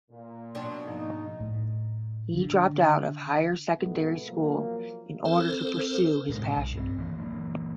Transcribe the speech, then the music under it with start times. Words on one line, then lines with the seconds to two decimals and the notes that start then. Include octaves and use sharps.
He dropped out of higher secondary school in order to pursue his passion.
0.11 A#2
0.55 B2 F#3 D4 G5 C6
0.86 G#2 F3 A#3 D#4
1.40 A2
2.35 D3
3.80 G#2 B2 A3 B3
4.27 F3 F#3 A#3
5.25 C4 A4 A#4 C5
6.29 A2 C3 F#3 G#3
6.57 B1
6.74 G2 C4
6.98 D#2 E3 A#3
7.18 E3 F#3 A#3